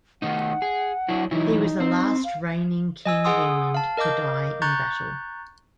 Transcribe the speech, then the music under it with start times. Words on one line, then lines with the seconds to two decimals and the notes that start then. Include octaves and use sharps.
He was the last reigning King of England to die in battle.
0.22 D#3 A3 D#4 F#5
0.62 G#4
1.09 F#3 D4 E4
1.31 E3 F#3 D#4 E4
1.80 C4
2.24 F5
3.05 D#5 G#5 E6
3.24 G#4 F#5 G#5 C6 D#6 E6
3.74 F5 A5
3.97 A#4 D#5 F5 D6 G6
4.62 A#5 C#6 F#6 G6 A6